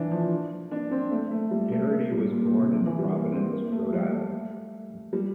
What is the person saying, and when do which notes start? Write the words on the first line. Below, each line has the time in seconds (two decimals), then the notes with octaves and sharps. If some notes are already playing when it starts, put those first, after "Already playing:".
Gerety was born in Providence, Rhode Island.
Already playing: E3 D4
0.11 F3
0.71 D4
0.91 C4
1.11 A3
1.31 A3
1.51 G3
1.72 A3
1.91 A#3
2.12 G3
2.32 A#2
2.45 A#2
2.59 C3
2.72 D3
2.86 E3
2.99 G3
3.12 A#3
3.32 C4
3.53 A#3
3.72 A3
3.92 G3
4.12 A3
5.13 G3